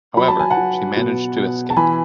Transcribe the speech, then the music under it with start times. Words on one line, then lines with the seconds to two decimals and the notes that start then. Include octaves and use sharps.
However, she managed to escape.
0.17 F#3 B5
0.28 A5
0.39 G#5
0.50 F#5 A5
0.57 F#3
0.97 B2
1.37 B2
1.70 A5
1.76 E3 G#5 B5